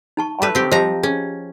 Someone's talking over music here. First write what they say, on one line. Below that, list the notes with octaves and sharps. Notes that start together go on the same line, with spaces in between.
our time,
D#4 A5 C#6
A3 B4
C4 G4
F3 G4 C5 D#5 A#5
C#4 G#4